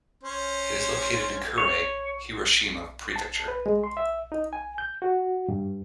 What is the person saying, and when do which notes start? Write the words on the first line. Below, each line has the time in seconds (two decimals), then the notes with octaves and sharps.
It is located in Kure, Hiroshima prefecture.
0.23 C#4 C5
1.58 C#5
3.16 A5
3.48 B4
3.66 G#3
3.84 C6
3.97 E5
4.32 D#4
4.53 G#5
4.78 G6
5.02 F#4
5.48 G2